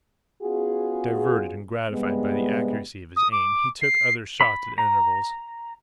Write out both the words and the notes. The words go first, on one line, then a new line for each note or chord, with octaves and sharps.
Diverted and gratified by the accuracy of his aim, he took other shots at intervals.
B3 C#4 F4 F#4 G#4
G2 C3 G3 G#3 B3
D#6
D6
C7
B5
A#5